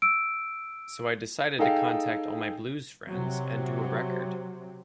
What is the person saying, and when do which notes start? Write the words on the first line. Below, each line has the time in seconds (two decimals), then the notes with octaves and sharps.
So I decided to contact all my blues friends and do a record.
0.02 E6 D7
1.59 D#4 G#4 A4 F5 G5
3.08 C3 F#3 C4